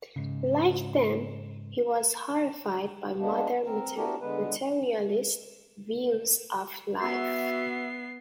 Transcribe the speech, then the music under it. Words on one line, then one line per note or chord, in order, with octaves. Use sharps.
Like them, he was horrified by modern materialist views of life.
G#2 C#3
G#3 A#3 B3 D4
C4 A#4
B3 D4 E4 F#4 G4 A#4
D3 G#3 B3 B4
B3 F#4 E5 C7